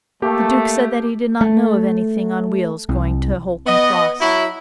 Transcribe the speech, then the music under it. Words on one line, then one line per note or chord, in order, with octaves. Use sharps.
The Duke said that he did not know of anything on wheels going to Holcombe Cross.
A3 A#3 G4
A3
C2
B3 D#5
F#3 E4